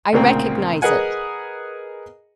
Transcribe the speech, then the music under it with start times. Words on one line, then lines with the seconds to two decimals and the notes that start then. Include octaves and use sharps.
"I recognize it!"
0.12 D2 A#2 C#3 A#3 C4
0.82 G#4 A#4 B4 D#5 F#5 G#5